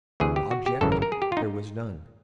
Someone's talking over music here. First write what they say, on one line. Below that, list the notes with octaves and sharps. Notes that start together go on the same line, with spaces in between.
Object there was none.
D2 C3 E3 G#4
G4
F#4
G4
G#1 F#2 C#3 E3 A4
A#4
A#4
G#4
G4
F4
D#4